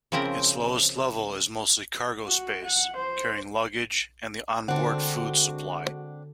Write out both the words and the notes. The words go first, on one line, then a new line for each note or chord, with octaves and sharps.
Its lowest level is mostly cargo space, carrying luggage and the onboard food supply.
C#3 F3 C4 E4 A#4 A#5
F#4
F#5
C5
D3 G#3 C4 D4 F#4 F#5